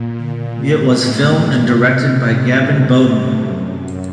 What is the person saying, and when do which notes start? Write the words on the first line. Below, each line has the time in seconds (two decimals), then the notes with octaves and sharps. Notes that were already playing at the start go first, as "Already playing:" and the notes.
It was filmed and directed by Gavin Bowden.
Already playing: A#2
0.69 G2
1.00 A2
1.30 A2
1.61 C3
1.91 C3
2.22 A2
2.52 G2
3.43 F#2
3.74 F#2